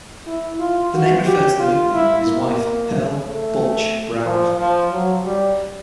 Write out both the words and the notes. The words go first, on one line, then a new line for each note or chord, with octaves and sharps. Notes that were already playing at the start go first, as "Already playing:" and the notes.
The name referred to the nickname of his wife, Pearl "Butch" Brown.
E4
F4
F#4
G4
F4
E4
A#3
A3
F3
F3
F#3
G3